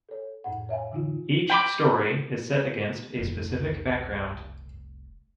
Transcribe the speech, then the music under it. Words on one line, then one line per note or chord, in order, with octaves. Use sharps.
Each story is set against a specific background.
A4 C#5
F2 A2 F#5
C#5 E5 F5 G#5
D3 E3 D#4 F4
G5 B5 D6
F1 C2